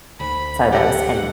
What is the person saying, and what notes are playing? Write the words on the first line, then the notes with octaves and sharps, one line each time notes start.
photos and
D2 B5
G4 A4 F#5